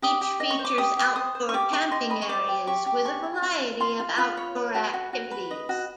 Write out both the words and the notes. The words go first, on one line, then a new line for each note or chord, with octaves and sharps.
Each features outdoor camping areas with a variety of outdoor activities.
G4 D#6
G4
D#5
C#6
C5
D6
G4 D#6
G4
C5 D#6
C5
C#6
G4 D6
G4 C#6
D#5 C6
D#5 B5
C#6
C5 D6
G4
G4 C#6
G4
G#4 C#6
C#5
F4
F4
F4 C6
F4
F4 B5
C#5
B4
F#4
F#4
F#4
B4
D#5
F#4